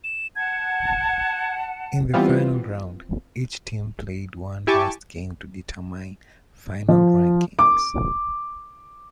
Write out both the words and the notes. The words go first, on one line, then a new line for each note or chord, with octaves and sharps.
In the final round, each team played one last game to determine final rankings.
E7
F#5 A5 G#6
E3 G3 B3 C4 F4
E4 G4 G#5 A5 C#6 D6
F3
D6